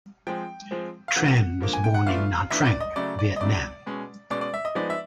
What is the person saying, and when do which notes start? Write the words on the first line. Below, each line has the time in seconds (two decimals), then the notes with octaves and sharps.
Tran was born in Nha Trang, Vietnam.
0.27 F3 G#3 C4 G5
0.71 F3 G#3 C4
1.08 F5
1.16 D3 F3 A#3 F#5
1.61 D3 F3 A#3
1.73 G#5
1.84 G5
1.94 F#5
2.06 E3 A3 D4 F4 F5
2.50 E3 A3 D4 F4 E5
2.65 D5
2.80 D#5
2.96 C#3 F#3 A3 D5
3.19 D5
3.36 D#5
3.40 C#3 F#3 A3 D5
3.86 B2 G#3 C#4
4.30 B2 G#3 C#4 D5
4.41 D5
4.54 E5
4.65 D#5
4.75 F3 G#3 B3 D#4 D5
4.90 E5